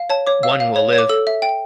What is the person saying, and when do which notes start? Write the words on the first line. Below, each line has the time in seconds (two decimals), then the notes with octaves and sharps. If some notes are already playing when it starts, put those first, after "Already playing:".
One will live.
Already playing: F5
0.10 C#5 A5
0.27 C#5 D6
0.43 F5 E6
0.60 F5
0.76 C#5
0.93 C#5
0.98 D6
1.09 A4 E6
1.27 E5
1.42 G5